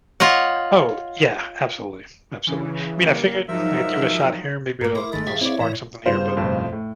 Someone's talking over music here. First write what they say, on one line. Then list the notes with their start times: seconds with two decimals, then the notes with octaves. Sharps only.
Oh, yeah, absolutely, absolutely. I mean, I figured I'd give it a shot here, maybe it'll it'll spark something here, but
0.20 F4 C#5 D#5 F#5
2.47 C#3 E3
3.02 G3 A#3
3.48 G#2 F3 F#3 D#4 A#4 E5
4.81 G#2 A#3 A#4
4.95 E4 A#4 B5 C6 D6
5.13 G#1 D#3 G#3 A3 B5 A6
5.27 G2 D#3 G4 G#4 E5 F5 B6
5.41 C4 E4 C#5 D5
5.60 A2 E3 A#5
6.05 G2 C#3 B3 F4 C5
6.37 B1 F2 A2
6.73 A2